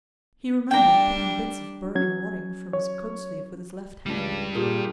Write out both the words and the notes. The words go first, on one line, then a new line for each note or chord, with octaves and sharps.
He remembered picking bits of burning wadding from his coat sleeve with his left hand.
G3 D4 G5 A#5
F#3 C#4 G#6
C#5
C#2 G3 D4
A#2 F4 G4 G#4 A#4